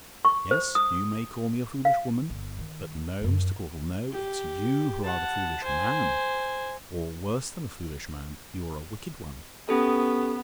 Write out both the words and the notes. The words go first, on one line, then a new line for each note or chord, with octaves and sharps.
Yes, you may call me a foolish woman; but no, Mr. Caudle, no; it's you who are the foolish man; or worse than a foolish man; you're a wicked one.
C#6
C5
D#6
F5
G1
D#3
F#2 E4
G4
F#5 A5
C5 G#5
B3 C#4 G4 A4